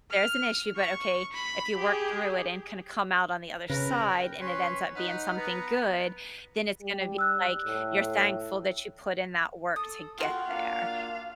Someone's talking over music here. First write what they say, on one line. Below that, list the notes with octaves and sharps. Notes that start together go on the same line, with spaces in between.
there's an issue, but okay. If you work through it and kinda come out on the other side, and it ends up being something good, then it's gonna be, like, you're thankful that you put in that work to get there.
F6
C#6
B5
G4 G#4
C#3 A#4 B4
G5
C#4 B4 C#5 C6
D#4 B4 F#5 F6
B3 B4 A#5
G3
E6 F#6
A2
A4 D#6
F4 F#4 A#4 F5 G5 C6
A#3 D4 F4 F5